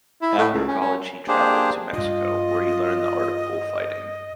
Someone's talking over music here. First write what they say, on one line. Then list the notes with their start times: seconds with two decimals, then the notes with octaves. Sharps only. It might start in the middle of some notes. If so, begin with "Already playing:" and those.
After college he traveled to Mexico, where he learned the art of bullfighting.
0.22 E4
0.38 A2
0.53 C#2
0.68 C#4
0.81 C#4
1.28 A#3 D4 G4 G#4 C5
1.93 G2 D4 F4 D#5